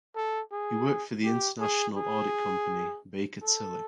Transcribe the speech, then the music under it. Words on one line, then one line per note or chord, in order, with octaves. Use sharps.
He worked for the international audit company Baker Tilly.
A4
G#4
G4
G#4
G#4
A4